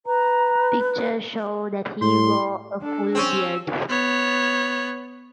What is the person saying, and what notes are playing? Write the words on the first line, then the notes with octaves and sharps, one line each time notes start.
Pictures show that he wore a full beard.
B4 A#5
A2 C6
D4 A4
C4 C#4 E6
B3 C#5